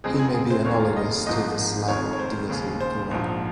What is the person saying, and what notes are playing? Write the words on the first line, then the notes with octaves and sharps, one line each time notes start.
He may be analogous to the Slavic deity Perun.
F2 C#3 G#3 C4 G#4
G#4
G#4
C5
F1 D#2 D#3 A#3 C#5
D#5
G#1 G#2 F3 A#3 D#5
F1 F2 D#3 C#5
C#5
C5
D#2 C#3 G#3
C5
A#1 G#2 F3